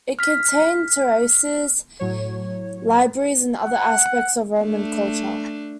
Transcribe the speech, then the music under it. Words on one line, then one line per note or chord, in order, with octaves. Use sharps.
It contained terraces, libraries and other aspects of Roman culture.
F6 B6
A2 F#3 C#5
F#5
A3 D4